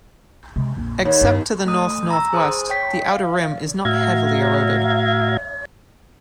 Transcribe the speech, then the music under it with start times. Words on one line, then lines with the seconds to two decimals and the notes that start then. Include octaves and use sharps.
Except to the north-northwest, the outer rim is not heavily eroded.
0.56 C3 G#3
0.76 A#1 F2
1.05 D#2 C#5
1.21 G2 B3
1.66 A3 D#6
2.10 A#5 E6
2.33 G#4 C5 D#6
2.69 C#5 G5 B6
3.11 F5
3.85 A2 F#4 E5 F5 A#5 G#6